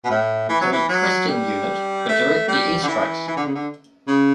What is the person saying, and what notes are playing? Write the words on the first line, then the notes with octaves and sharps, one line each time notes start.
The requesting unit would direct the air strikes.
B2
A2
E3
F#3
E3
F#3
G3
A3
G3
D3
E3
E3
D3
C#3
D3
C#3